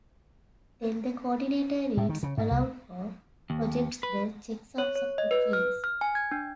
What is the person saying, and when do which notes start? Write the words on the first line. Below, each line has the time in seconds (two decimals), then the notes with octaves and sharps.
Then the coordinator reads aloud or projects the checksums of the keys.
1.97 A2
2.09 D#3
2.23 C#3
2.38 G#2
2.51 C2
3.50 D#2
4.03 B4
4.78 C#5
4.95 C#5
5.18 D#5
5.31 B4
5.53 F6
5.84 F6
6.01 G#5
6.15 G#6
6.31 D4